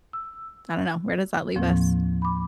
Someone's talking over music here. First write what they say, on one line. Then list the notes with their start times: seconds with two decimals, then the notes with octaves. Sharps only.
I don't know, where does that leave us?
0.13 E6
1.56 D#2 A2 F3 A#3 C4
2.22 B5 D6